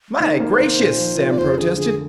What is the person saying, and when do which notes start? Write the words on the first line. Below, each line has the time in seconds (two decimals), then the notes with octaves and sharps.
"My gracious!" Sam protested.
0.20 D#3 C5
0.40 A#3
0.50 C5
0.60 D#3
0.79 A#2
0.98 F3
1.19 F4
1.30 D5
1.38 F2 C5
1.58 D3 G#4
1.78 D3 G#4